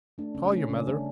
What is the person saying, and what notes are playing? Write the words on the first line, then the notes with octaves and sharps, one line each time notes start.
Call your mother.
A3 D4
C#3 C#4
C#4
A3 D4
C#3 C#4
G3 D4